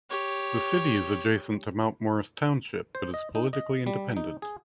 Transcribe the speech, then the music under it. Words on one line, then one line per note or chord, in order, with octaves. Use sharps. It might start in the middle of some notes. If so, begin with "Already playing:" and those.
The city is adjacent to Mount Morris Township, but is politically independent.
G4 C#5
C5
D#5
D#4
D#5
G3
D#4
G#4